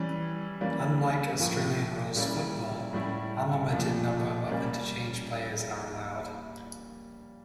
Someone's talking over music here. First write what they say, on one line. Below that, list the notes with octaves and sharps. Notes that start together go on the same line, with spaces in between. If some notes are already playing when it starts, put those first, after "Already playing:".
Unlike Australian Rules Football, unlimited number of interchange players are allowed.
Already playing: E3 G3 C#4
E3 G3 A#3 C#4
A2 F3 A#3
C#3 G3 A#3 C#4 E4
A2 G3 C#4 E4
A#2 F3 A3
G3 A#3 C#4